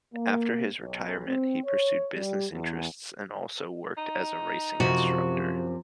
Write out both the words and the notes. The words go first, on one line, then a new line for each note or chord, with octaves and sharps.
After his retirement, he pursued business interests and also worked as a racing instructor.
A#3
B1
C4
C#5
G3
E2
D#4
F#2 C3 F3 F#4